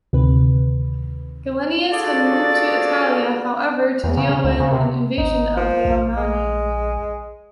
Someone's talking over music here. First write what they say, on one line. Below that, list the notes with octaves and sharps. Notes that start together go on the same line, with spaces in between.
Gallienus had moved to Italia, however, to deal with an invasion of the Alamanni.
D2 C3 D#3 B4
D4 F4 F#4 G#4 A4 D5
E2
C#3
C#3
D2
C#3
C3
G#1 D#4
F3
A#1
G#3